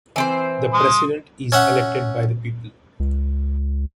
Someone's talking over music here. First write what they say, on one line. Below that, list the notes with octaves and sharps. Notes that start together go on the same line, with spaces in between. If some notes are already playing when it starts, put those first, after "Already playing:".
The president is elected by the people.
E3 C4 C5
C6 D#6
C#4 E5 F#5
C#2